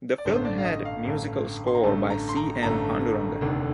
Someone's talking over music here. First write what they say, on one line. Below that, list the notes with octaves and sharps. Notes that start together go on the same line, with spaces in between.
The film had musical score by C. N. Panduranga.
D5
A1 G2 D3 A3 C5
C5
D5
F5
D#5
F5
A1 G2 D3 A3
C6
A#5
A1 G2 D3 A3 A5
A#5
C6
A#5
A1 G2 D3 A3 A#5
F1 D#2 D3